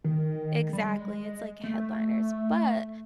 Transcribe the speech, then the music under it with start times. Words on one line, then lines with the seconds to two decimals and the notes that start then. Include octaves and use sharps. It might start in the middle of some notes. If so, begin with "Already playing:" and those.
Exactly, it's like headliners, but
0.04 D#3
0.73 G3
0.85 G#3
1.64 A3